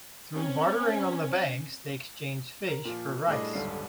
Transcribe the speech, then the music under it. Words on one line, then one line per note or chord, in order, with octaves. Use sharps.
Through bartering on the banks, they exchange fish for rice.
C4 C#4
A#4
A#2 F3 F4
A2 G3 D4 G#4 D#5 D6
D#1 B1 G#2 D3 G3 C7